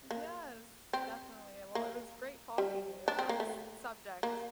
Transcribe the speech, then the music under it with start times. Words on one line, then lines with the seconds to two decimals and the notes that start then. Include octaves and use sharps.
Yes, definitely. Well, it was great talking to you about this subject.
0.11 A#3
0.93 C4
1.75 A#3
2.58 G3
3.08 D4
3.19 C4
3.29 A#3
3.40 A3
4.23 A#3